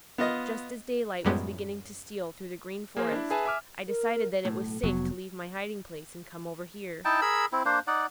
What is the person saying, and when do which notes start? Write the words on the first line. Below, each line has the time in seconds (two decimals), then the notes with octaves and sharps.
Just as daylight was beginning to steal through the Green Forest, I decided that it was safe to leave my hiding place and come over here.
0.18 B3 F4 D#5
1.25 F#2 A2 G3 G#3 B3
2.97 A#3 G#4 A#4 C5
3.12 D4 E4
3.31 G#4 B4 E5 G#5 A5
3.45 E5 G#5 D6 F6
3.88 A#4
4.45 B1 A2
4.84 F1 F#3 B3
7.05 D#4 E4 G5 A5
7.22 G#4 A#4 B5 E6
7.52 C4 E4
7.65 A#3 D4 C5
7.87 D#4 D5 F#5